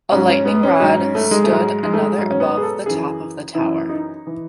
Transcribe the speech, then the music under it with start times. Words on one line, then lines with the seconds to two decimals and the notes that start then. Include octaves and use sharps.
A lightning rod stood another above the top of the tower.
0.11 G#2 F#3 C#4
0.29 C#4
0.45 B3
0.63 C#4
0.80 G#2 F#3 D#4
0.97 C#4
1.15 A3
1.31 G#3
1.44 A3
1.49 G#2 F#3 G#3
1.83 G#3
1.93 A3
2.03 G#3
2.18 G#2 F#3
2.30 C#4
2.40 B3
2.57 G#4
2.63 A4
2.86 F#2 E3 G#4
3.55 F#2 E3 E4
3.89 D#4
4.27 E3